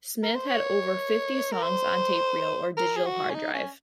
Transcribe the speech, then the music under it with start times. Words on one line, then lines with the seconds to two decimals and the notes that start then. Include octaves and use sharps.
Smith had over fifty songs on tape reel or digital hard drive.
0.23 A#4
0.35 C5
0.47 C#5
1.52 A#4
1.63 C5
2.77 A#4
2.96 G#4
3.06 F#4
3.30 C#4
3.35 D#4
3.54 C#4